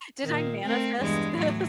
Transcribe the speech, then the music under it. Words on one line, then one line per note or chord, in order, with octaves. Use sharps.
"Did I manifest this?"
A#2 D#3
A3 C4 A#4
E2 G2 G#3
A2 F#3